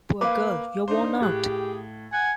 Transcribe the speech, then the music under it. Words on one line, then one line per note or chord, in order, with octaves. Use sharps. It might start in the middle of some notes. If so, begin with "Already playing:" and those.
Poor girl, you're worn out.
A#3 B4 F5 D6
D4 D#4 C5
A2 G4 G#4 F#6
F#5 G#5